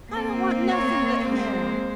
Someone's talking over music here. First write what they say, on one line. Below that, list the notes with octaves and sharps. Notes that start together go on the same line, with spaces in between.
"I don't want nothing but him."
A#3 C4
C#5
G#3 C5